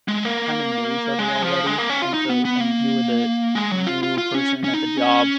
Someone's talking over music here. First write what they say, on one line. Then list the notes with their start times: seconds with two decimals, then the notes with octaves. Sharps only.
kind of knew each other already, and so and you were the new person at the job,
0.08 G#3
0.25 A#3
1.19 G#3
1.42 F3
1.66 G#3
1.78 A#3
1.90 C#4
2.02 F4
2.14 D#4
2.29 B3
2.45 B3
2.60 A#3
3.55 G#3
3.71 F#3
3.87 F4
4.03 F4
4.18 F4
4.34 C#4
4.64 C#4
4.74 D#4
4.97 C#4